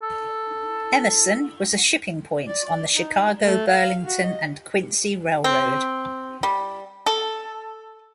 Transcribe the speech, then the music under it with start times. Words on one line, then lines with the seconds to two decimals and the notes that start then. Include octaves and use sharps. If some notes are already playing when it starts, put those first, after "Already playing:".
Emerson was a shipping point on the Chicago, Burlington and Quincy Railroad.
0.03 A4
2.48 D5
2.65 D5
2.94 D#4
3.45 A3
3.68 F5
4.06 F#4
4.23 D#5
5.44 C4
6.43 G3
7.06 A4